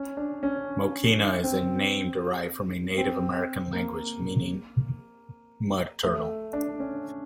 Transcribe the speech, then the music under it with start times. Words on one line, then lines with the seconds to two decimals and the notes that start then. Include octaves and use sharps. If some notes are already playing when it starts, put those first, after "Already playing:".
Mokena is a name derived from a Native American language meaning "mud turtle".
Already playing: C#4
0.17 D4
0.43 C#4
1.44 C4
2.97 C4
3.73 A#3
6.03 A3
6.53 D4
6.80 C#4